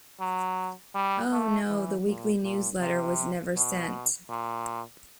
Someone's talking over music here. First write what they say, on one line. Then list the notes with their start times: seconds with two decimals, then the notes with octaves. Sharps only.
Oh no, the weekly newsletter was never sent!
0.20 F#3
0.94 G3
1.31 A3
1.68 E3
2.06 A#2
2.43 A#2
2.81 C3
3.55 B2
4.29 A#2